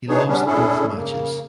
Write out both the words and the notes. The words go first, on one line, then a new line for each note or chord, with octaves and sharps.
He lost both matches.
E3 F#3 D4 D#4 G#4 C#5
G3 B3 C#4 D4
C#4 D4 E4 G#4 A4
C#3 A#3